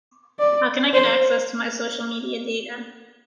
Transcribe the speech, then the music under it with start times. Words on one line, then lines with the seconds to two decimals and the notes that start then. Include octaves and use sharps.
How can I get access to my social media data?
0.39 D5
0.93 C5